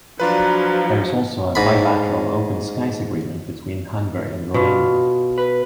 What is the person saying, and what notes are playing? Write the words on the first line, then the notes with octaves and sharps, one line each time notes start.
There is also a bilateral Open Skies Agreement between Hungary and Romania.
F3 F#3 D4 F4 B4 A#5
G#2 B5
B2 F4
B4